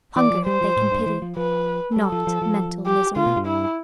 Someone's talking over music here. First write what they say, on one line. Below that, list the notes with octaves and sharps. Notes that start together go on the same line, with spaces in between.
Hunger they can pity--not mental misery.
E3 D5
F3
G3 C5
F3
A2
G2
E3
F3
F3 B4
G3 A4
F3
F3
F3
G4
D3 F4
B2
G2
E4